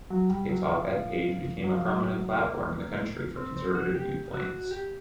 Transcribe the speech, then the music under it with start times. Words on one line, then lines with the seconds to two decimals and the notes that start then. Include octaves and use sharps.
Its op-ed page became a prominent platform in the country for conservative viewpoints.
0.10 F#3
0.29 G3
0.49 F#3
0.68 F3
0.88 F3
1.64 F#3
1.73 F3
1.82 F#3
2.41 A#3
3.37 C4
3.57 C4
3.75 F#4
3.94 G4
4.33 F#4
4.71 G4